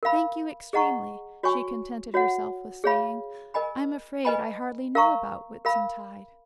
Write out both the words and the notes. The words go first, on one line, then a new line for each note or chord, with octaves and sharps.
"Thank you extremely," she contented herself with saying; "I'm afraid I hardly know about Whitsuntide."
A#4 F5 B5
G#4 D#5 F#5 A#5 C#6
F#4 C#5 G#5 C#6
F#4 C#5 F#5
G#4 C#5 F5 B5
A#4 D#5 G#5 B5
B4 D#5 G#5 B5
A#4 F5 A#5 C#6
A#4 F5 B5